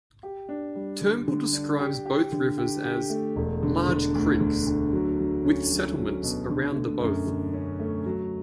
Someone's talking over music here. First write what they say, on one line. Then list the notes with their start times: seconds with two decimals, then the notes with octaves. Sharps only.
Turnbull describes both rivers as, "large creeks" with settlements around the both.
0.23 G4
0.49 D4
0.75 G3
1.01 D3
1.28 D3
1.53 D4
1.79 G4
2.06 G4
2.32 D3
2.58 G4
2.84 G4
3.10 A3
3.36 E1
3.63 D3
3.88 D3
4.15 D2
4.40 D3
4.67 D2
4.93 F#3
5.19 F#3
5.45 C#4
5.71 F#3
5.98 F#3
6.23 B2
6.49 D3
6.75 A3
7.01 F#2
7.27 D3
7.53 C#4
7.80 A3
8.06 F#3